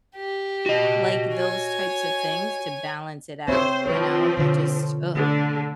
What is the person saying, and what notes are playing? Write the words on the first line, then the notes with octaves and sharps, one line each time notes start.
like those types of things to balance it out, you know, I just ugh.
G4
F#4 D#5
C#5 G#5
C4 C5 C#5 E5
F3 C4 B4 C#5
B2 D3 C#5
D3 A3